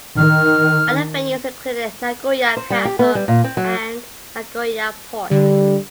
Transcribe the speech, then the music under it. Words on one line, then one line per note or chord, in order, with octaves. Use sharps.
Other venues included Nagoya Castle and Nagoya Port.
D#3 F6
C5
G3
G4
B3
G3
A#2
C4
F#3
D3 G3